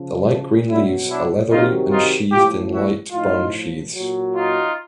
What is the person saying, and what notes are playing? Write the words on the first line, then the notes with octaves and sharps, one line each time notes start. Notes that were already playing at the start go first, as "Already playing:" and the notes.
The light green leaves are leathery and sheathed in light brown sheathes.
Already playing: C#3 F3
B2 F#3 D4 E4
D4 E4
C3 D#3 F#3 D#4 F4
D#4 F4
A2 F3 F4 G4
E4 F#4
A2 F3 D#4 F4
A#2 F#3
D#4 F4